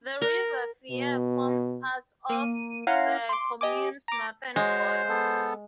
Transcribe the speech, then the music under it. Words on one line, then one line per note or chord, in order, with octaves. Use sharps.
The River Fier forms parts of the commune's northern border.
A#4
B2
A#3 D#7
C#4 E4 F5 F#5 A#5 C6
C6 D6
G4 D#5 G#5 D6
A#5 D6
G#3 F#4 C5 C#5
B3 A4